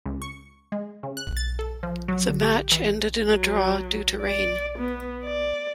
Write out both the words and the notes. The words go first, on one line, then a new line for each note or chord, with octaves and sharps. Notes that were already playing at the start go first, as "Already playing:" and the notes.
The match ended in a draw due to rain.
C#2
C#6
G#3
C#3
F#6
A6
A4
F3
F#3
D3
G4
E3
F#3
D5
B3
D5